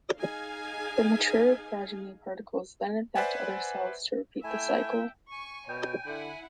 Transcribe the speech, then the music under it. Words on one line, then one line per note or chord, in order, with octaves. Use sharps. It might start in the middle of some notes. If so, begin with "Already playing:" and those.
The mature progeny particles then infect other cells to repeat the cycle.
D#4 G#4 F5 G#5
B4 C5 D5 E5 F#5 G#5
A3 E4 E5 G5 G#5
G#5 C#6
B2 C#5 G5
D3 E4 F#5